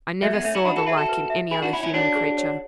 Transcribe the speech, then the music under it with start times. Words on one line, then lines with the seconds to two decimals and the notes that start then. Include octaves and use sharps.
I never saw the like in any other human creature.
0.22 F#3 A3 E5
0.33 G#3 B3
0.44 A3 C#4 E5
0.55 C#4 E4
0.65 D4 F#4 B5
0.76 F#4 A4
0.86 G#4 B4 E5
0.97 F#4 A4
1.09 B4
1.30 E5
1.51 E4 G#4 B5
1.62 D4 F#4
1.73 C#4 E4 B5
1.83 C#4 E4
1.94 D4 F#4 C#5
2.16 G#4
2.38 C#5